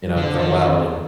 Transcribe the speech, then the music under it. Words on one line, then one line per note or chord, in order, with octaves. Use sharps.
you know, go out and
D3
D#3